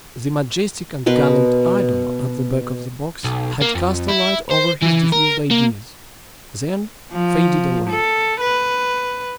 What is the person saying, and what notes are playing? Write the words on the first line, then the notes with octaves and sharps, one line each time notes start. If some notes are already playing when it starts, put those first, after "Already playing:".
The majestic and gallant idol at the back of the box had cast a light over his diffused ideas, then faded away.
B2 A#4 B4 C6
B1
A#3
F2
E4
C5
E3
A#4
A#3
F3
A4
B4